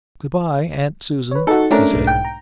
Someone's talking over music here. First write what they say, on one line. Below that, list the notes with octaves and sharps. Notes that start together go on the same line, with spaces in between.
"Good-bye, Aunt Susan," he said.
B4 C#5
D#4 F#4 A4
A3 C#4 D4 A4 A#4
B1 G#2 G#3
G5
A#5